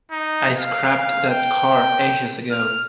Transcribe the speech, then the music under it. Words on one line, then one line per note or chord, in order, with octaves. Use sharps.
I scrapped that car ages ago.
D#4
F5
G5
F6